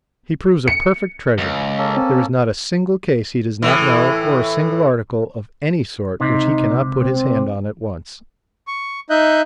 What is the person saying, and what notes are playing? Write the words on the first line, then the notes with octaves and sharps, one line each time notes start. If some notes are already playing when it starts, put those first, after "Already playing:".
He proves a perfect treasure; there is not a single case he does not know or a single article of any sort which he cannot put his hand on at once.
C#7
C#2
A#3 C#4 A4
C4
A2 E3
C#2 C3 D#4
C4
C#6
D#4 D#5 E5 F#6 G6